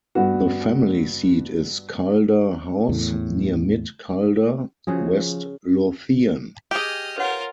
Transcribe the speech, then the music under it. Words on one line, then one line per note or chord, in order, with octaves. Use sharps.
The family seat is Calder House, near Mid Calder, West Lothian.
G2 B3 F#4
E2 A2
C#3 F3 F#4 G#4
G4 G#4 D#5 F6
F4 A#4 B4 C#5 F#5